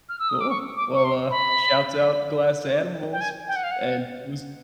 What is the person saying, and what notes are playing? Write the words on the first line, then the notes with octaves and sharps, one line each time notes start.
Cool, well, uh, shoutout Glass Animals, s and it was
F6
E6
D#6
D6
C#6
D6
C#6
C6
B5
G5
G#5
G5
F#5
F5
F#5